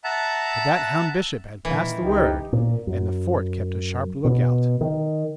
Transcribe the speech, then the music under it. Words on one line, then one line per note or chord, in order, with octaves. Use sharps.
But that hound Bishop had passed the word, and the fort kept a sharp lookout.
E5 F#5 A5 A#5
A#2 D#3 E3
C#2 D#4 G4
A#2
F#2
B2
D#3